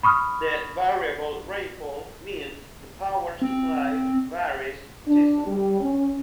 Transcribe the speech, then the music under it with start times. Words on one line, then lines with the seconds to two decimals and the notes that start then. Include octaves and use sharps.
The variable rainfall means the power supply varies seasonally.
0.03 B5 C#6 D#6 F6
3.42 C4
5.08 D4
5.46 G3
5.80 C#4